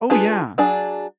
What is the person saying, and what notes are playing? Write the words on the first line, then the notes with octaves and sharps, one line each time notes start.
Oh, yeah,
D4 F4 G#4 B4
F#3 D4 G#4 D5